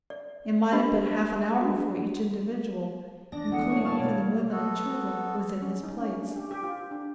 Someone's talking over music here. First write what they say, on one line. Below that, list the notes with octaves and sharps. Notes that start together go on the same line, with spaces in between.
It might have been half an hour before each individual, including even the women and children, was in his place.
D5
D4 G4 C5 D#5 B5
D4 F#4
E2 D4 A#6
E2 D3 A3 F#5
C#5 C#6
G2 F5 A5 C#6
B2 C#5 D5
B3 F#4 A4
C#4
D#4
C#4
D4
G4
G4
F4
D4